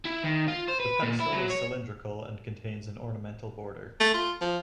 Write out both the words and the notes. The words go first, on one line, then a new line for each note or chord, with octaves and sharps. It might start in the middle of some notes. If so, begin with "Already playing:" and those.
The pedestal is cylindrical and contains an ornamental border.
E4
D#3
F4
C5
B4
A#2
E4
F#3
C#5
A3
F4
F3